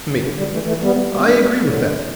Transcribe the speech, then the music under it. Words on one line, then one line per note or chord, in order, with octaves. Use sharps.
ME: I agree with that.
A2 D3
D3 G3
E3 A3
E3 A3
G3 B3
G3 B3
A3 D4
G3 B3
A2 D3